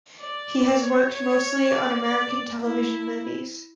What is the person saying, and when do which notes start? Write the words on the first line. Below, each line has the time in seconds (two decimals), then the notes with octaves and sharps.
He has worked mostly on American television movies.
0.21 D5
0.81 C#5
1.12 C#5
1.72 D5
2.02 D5
2.63 E4